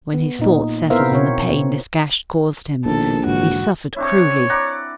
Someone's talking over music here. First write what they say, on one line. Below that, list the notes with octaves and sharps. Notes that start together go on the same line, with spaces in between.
When his thoughts settled on the pain this gash caused him, he suffered cruelly.
B3
A#2 D#4
B3 E4 A#4 C5 E5 F5
B2 C4 C#5
A#1 B2 D#3 A4
G#2 D3 E3 F#4
C4 D4 E4 C#5
D5 F#5 A#5